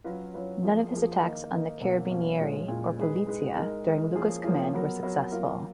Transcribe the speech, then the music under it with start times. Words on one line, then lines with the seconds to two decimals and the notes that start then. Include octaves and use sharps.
None of his attacks on the Carabinieri or Polizia during Luca's command were successful.
0.04 F#3 C#4 F4 B4
0.34 F#3 C#4 F4 B4
0.63 F3 A#3 F4 G#4
0.93 F3 A#3 F4 G#4
1.22 D#3 A#3 D#4
1.51 D#3 A#3 D#4
1.81 B2 F#3 A#3 C#4
2.10 B2 F#3 A#3 C#4
2.39 A#2 G#3 C#4 F4
2.68 A#2 G#3 C#4 F4
2.97 G#3 D#4 G#4 B4
3.27 G#3 D#4 G#4 B4
3.56 G#3 D#4 A#4
3.86 G#3 D#4 A#4
4.15 F3 A#3 C#4 F4 G#4
4.44 F3 A#3 C#4 F4 G#4
4.73 F#3 B3 F#4 A#4
5.03 F#3 B3 F#4 A#4
5.31 F#3 A#3 F4 A#4